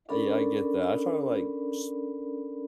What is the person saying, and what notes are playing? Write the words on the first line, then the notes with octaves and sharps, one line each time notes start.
Uh, yeah, I get that. I try to, like, s
C#4 D4 A4 A#4 D5 B5